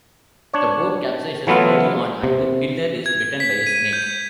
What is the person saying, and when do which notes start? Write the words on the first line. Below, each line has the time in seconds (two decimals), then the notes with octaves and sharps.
The boat capsizes early on and Pilar is bitten by a snake.
0.54 D4 C#5
1.47 E3 F#3 A3 B3 E4 F4
2.24 C3
3.06 G#6
3.40 B6
3.67 D#7
3.93 G6